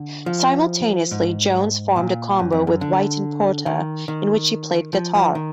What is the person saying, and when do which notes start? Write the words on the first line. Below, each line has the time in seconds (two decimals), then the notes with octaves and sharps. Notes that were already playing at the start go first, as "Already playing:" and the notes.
Simultaneously, Jones formed a combo with White and Porter, in which he played guitar.
Already playing: D3
0.26 F3
1.11 G#2
1.96 A#2
2.39 F#2
2.52 F2
2.67 F#2
2.81 D3
3.66 D#3
4.08 D#3
4.93 F3
5.15 F3
5.35 D#3